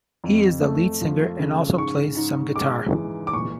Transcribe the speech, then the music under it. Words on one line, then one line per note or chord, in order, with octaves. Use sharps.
He is the lead singer and also plays some guitar.
F2
A3
F3
C#3
G#2 C#6
G#2
G#3 D6
E3
D6
A#2 C#6